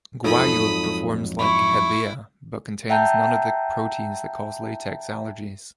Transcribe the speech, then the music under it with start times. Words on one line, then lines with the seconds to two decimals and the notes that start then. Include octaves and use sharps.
Guayule performs like "Hevea" but contains none of the proteins that cause latex allergies.
0.24 F2 G#2 F#3 D#4 F4 A4 B5 D#6
1.39 E4 B5 C#6
2.90 E5 F#5 G5 A5 A#5 G6